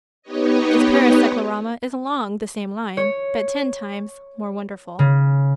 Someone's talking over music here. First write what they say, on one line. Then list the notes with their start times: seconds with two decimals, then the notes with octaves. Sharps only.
This Paris cyclorama is along the same line, but ten times more wonderful.
0.22 B3 D#4 G4 B4 C#5 D#5
2.97 C#5
4.99 C#3